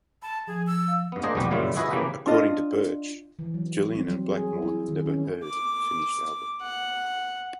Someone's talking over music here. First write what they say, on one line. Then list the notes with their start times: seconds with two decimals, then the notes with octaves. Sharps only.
According to Birch, Gillan and Blackmore have never heard the finished album.
0.22 A5 B5
0.47 F3 G#4
0.67 E6
0.88 F5
1.12 G2 B3
1.23 A#3 D4 G#4 C5 D#5
1.35 B1 F2 G3 B3 F#4 G4
1.51 F#2 A#2 C#3 G3 E4 F4
1.76 E4 F#4 G#4 B4 D#5 E5
1.90 C#3 E3 A#3 G4 B4 G#5
2.27 D4 F4 D#5
3.39 E3
3.54 F#3
3.78 G3
3.95 C4
4.07 F#3
4.31 G#4
4.62 E4
4.88 D#3
5.06 C#4
5.44 D6
6.61 F#5